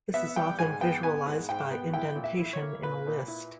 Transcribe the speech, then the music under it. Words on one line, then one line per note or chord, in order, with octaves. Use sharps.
This is often visualized by indentation in a list.
B3 E5
G3 G5
G#2 G#5
B3 G5
B3 G#5
G#2
G#2 G5
B3
E4 G5
A#2
E5
E4
C#5
A#3
A#2 B4
A#2
E4